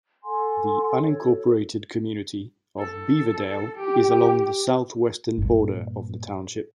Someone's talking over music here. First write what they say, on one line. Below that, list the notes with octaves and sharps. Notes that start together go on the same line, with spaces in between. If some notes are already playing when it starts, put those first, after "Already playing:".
The unincorporated community of Beaverdale is along the southwestern border of the township.
A4 F#5 G#5 C6
A4 C#5
A4
G4
G2 A#2